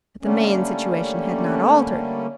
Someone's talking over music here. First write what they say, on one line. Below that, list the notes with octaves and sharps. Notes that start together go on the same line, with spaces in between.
But the main situation had not altered.
D3 G3 A3 A#3 C#4